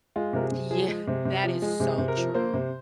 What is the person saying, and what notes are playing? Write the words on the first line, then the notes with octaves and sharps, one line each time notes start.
Yeah, that is so true,
G#3 F4
C3 A#4
G#4
C3
F3 G#4
G#3
C3
C3
F3
G#3
C3 G#4
C3
A#4
F3
A#3 C5
C3